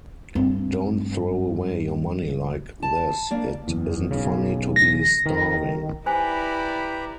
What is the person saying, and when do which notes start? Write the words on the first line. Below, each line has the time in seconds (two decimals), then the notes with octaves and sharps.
Don't throw away your money like this. It isn't funny to be starving.
0.35 G2 C4
2.83 A5
3.31 A#3 D4 D5
3.68 F#1 E2
4.11 B1 C#3
4.76 A#6
5.26 D#3
6.06 E4 G4 B4 C5 D5 G#5 A#5 B5